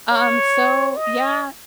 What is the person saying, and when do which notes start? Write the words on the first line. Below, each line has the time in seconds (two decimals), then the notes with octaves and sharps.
Um, so yeah,
0.11 C#5
0.97 D#5